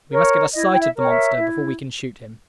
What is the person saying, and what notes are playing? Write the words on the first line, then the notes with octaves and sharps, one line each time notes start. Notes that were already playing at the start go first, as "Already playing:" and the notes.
We must get a sight at the monster before we can shoot him.
A#4 C#5
E4 D#5
G5
E5
A#4 C#5
G5
E5
E4